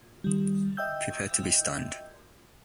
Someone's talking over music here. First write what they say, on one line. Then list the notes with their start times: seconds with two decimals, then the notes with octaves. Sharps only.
Prepare to be stunned.
0.24 D#3 G3
0.77 D#5 E5 G5 E6 G6